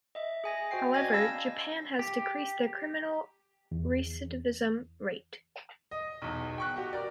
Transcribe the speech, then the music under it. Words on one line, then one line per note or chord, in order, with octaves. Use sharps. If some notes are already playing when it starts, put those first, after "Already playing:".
However, Japan has decreased their criminal recidivism rate.
D#5 E5
G#4 G#5 A#6
F#4 C5 G5 C7
C#4 D5 D#5 G#5 G#6 A#6
F5 A5 B5 E6 G#6 A#6
G4
E2
D#5
B1 E2
G5 C#6 F#6
F#4 G4
A#4 D5